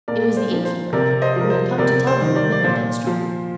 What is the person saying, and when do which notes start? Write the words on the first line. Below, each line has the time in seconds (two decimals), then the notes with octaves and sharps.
It was the Innkeeper who had come to tell him that midnight had struck.
0.08 A#2 A#4 D5
0.37 C5
0.51 F3
0.65 C5
0.93 C3 A#4 D5
1.22 C5 D#5
1.36 F3 A#4
1.50 C5
1.78 C3 A#4 D5
2.07 C5
2.21 D#3
2.36 A#4 D5
2.52 D5
2.64 A#2 C5
3.07 F3